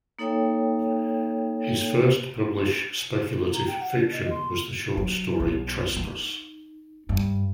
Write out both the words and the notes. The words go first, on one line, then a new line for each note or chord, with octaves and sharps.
His first published speculative fiction was the short story Trespass!
A#3 D#4 A4 C#5 E5 G5
A#5
G5
F#5
D4
D#5
C6
F#3
B1
D#4
G2